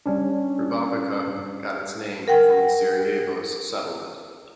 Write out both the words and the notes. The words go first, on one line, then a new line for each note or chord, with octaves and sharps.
Grbavica got its name from the Sarajevo's settlement.
G3 C#4 D4
A#4 F#5 G5